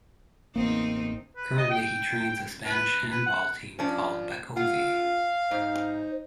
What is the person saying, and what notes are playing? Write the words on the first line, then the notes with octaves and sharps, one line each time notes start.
Currently he trains a Spanish handball team called Bacovi.
A1 E2 A#3 C4 D#4
B4
D#5
G5
B4
B4
F#5
F3 C#4 D4 D5
F4 F5 F#5
G#2 D#4 C5